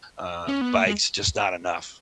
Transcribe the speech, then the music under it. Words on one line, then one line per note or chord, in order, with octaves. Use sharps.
uh, bikes just not enough.
C#4
B3
A#3
G#3